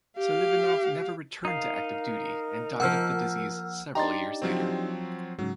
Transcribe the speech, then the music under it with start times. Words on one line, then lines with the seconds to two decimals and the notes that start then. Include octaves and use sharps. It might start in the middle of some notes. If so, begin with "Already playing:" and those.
Selivanov never returned to active duty and died of the disease several years later.
0.18 G4 F5
1.45 D#4 A#4 F5
2.80 F3 A#3 F#5 E6 F6
3.95 D4 D#4 G4 A#5 C6 A6
4.42 F3 F#3 C4
5.39 G#2 C#3 F#3